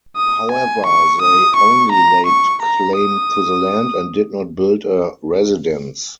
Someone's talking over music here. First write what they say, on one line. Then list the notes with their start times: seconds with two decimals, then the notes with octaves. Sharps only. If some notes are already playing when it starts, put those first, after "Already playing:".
However, they only laid claim to the land and did not build a residence.
0.17 D#6
0.52 G#5
0.86 C#6
1.22 D#6
1.56 C#6
1.92 A#5
2.27 C#6
2.62 A#5
2.97 D#6